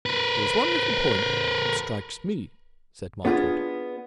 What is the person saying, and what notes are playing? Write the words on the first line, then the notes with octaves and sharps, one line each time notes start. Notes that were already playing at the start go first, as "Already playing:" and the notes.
"There is one little point that strikes me," said Marchmont.
A#4 B4
B3 D4 F4 G4 G#4